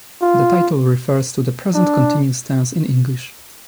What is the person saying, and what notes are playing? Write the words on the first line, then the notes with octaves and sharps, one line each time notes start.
The title refers to the present continuous tense in English.
F4
D4